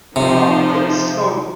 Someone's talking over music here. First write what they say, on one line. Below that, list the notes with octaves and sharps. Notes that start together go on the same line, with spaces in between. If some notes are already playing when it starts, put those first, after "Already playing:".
um, but it was so
C3 F3 D#4 C5